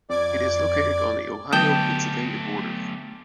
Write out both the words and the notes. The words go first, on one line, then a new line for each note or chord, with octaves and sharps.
It is located on the Ohio-Pennsylvania border.
F2 D5 D6 G#6
D3 F#3 A3 B3 G4 G5 A5 D#6